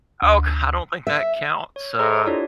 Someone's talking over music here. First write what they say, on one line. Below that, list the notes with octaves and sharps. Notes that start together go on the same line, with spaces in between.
oh c I don't think that counts, uh,
D2
E5
C#5
G#4 A4 C5 D#5 A#5 C6
D4 E4 F4 G4 C#5 D5